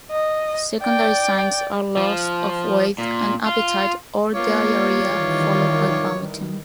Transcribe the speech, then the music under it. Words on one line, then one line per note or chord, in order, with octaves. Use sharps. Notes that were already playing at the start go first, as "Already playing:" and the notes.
Secondary signs are loss of weight and appetite or diarrhea followed by vomiting.
D#5
D5 G5
F3
A#2
F4
A#3 B3 F4 C#5 D6
D#3 E3 G3